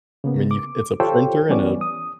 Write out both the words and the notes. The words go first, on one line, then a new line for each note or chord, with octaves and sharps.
I mean, you c it's a printer and a
C#3 A#3 B3
D6
F4 G4 A4 C5 C#5 G5
E3 G3 B3 C#4 D5
D#6